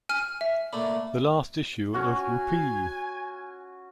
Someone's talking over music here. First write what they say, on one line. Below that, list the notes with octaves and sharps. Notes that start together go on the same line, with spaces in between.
The last issue of Whoopee!
G#5 F6
E5
A3 A#3 D4 B5
C#4 F#4 G#5